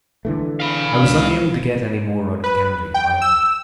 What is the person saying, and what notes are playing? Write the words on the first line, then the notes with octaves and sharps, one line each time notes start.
I was unable to get any more out of Kennedy, however.
D3 E3 A3
F5 B5
C#2 D3 C#4
B4
G5
E6